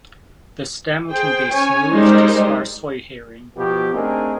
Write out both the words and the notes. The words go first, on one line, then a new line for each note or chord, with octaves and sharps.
The stem can be smooth to sparsely hairy.
G#4 C5 G5
C#4 C#5 G#5
G3 G#3 D#4 A#4 C5
B2 F3 B3 G4
A3 C4 D4 D#4 G#4 A#4